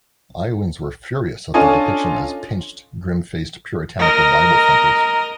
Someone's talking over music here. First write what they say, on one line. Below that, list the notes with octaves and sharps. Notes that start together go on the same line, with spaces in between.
Iowans were furious at their depiction as pinched, grim-faced, puritanical Bible-thumpers.
C#4 D4 F4 A4 D#5 G#5
A#4 D#5